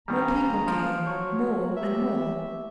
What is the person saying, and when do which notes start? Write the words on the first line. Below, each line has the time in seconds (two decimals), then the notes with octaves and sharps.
More people came--more and more.
0.08 D#3 G3 A#3 C#4 D4 G#5 A#5
0.68 F3 F5 D7
1.06 F#3 F#4 C#5 C#6
1.77 G4 E5